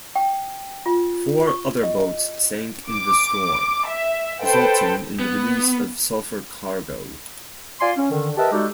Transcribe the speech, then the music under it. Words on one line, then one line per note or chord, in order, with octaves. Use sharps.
Four other boats sank in the storm, resulting in the release of sulphur cargo.
G5
F4
C#6
D#5
D6
E5
A4 B4 C5 G5 A5
B3
F4 D5 G#5 C6
C#4
D3 D#3
G4 A#4 B4 D#5 E5 A5
G3 G#3 D#4 F#4 G4 A4